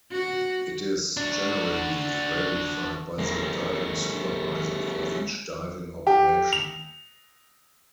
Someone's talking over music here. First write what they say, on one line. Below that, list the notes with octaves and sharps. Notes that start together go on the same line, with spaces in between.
It is generally verified by the diving supervisor for each diving operation.
F#4
D4 F#4
G#3 A#3
G4
F7